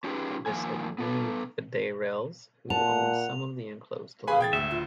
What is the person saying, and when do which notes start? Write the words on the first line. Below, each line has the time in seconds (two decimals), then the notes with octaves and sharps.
This aggrieved the Dayrells, who owned some of the enclosed land.
0.04 C#4 D#4 F4 G4 G#4 B4
0.46 F2 D#3 F3 A#3 G#5
0.98 B3 A4 B4
2.70 A#2 F#5 A5 F7
4.27 C#3 C#4 G#4 B4 F5 G#5 B5
4.41 D#2 C3 E3 G5 G#6 A6
4.53 D2 G#2 G#3 G4 E5
4.71 C#3 F#3 F4